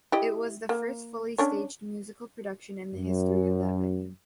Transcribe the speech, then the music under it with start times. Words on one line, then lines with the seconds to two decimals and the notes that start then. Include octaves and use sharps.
It was the first fully staged musical production in the history of that venue.
0.12 E4 G4 D#5
0.69 A#3
1.38 C#4 D4 C#5
2.94 F#2